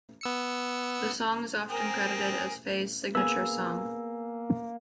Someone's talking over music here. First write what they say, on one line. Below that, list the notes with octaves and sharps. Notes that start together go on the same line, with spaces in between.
The song is often credited as Faye's signature song.
B3 E6 C#7
C4 G#4 A#4 G#5
A#3 B3 G#4 E6